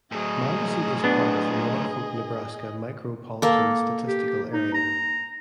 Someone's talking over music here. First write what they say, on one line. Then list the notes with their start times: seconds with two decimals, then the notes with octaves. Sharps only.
Madison is part of the Norfolk, Nebraska Micropolitan Statistical Area.
0.12 A2 F#3 G#4 D#5
1.04 B3 D4
3.42 A#3 A4
4.07 G4
4.53 D#4
4.74 A#5